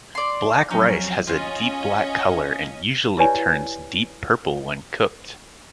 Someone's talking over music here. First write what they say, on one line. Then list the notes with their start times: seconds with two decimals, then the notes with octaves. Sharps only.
Black rice has a deep black color and usually turns deep purple when cooked.
0.15 D5 C6
0.70 F2 F#3 C#4 D#4
1.27 C#4 F4 D#5
3.17 E4 G4 B4 C#5 D5 G#5